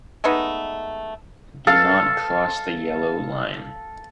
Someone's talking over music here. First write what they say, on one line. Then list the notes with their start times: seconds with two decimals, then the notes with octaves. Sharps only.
Do not cross the yellow line.
0.24 G#3 A3 B3 D#4
1.67 A4 F5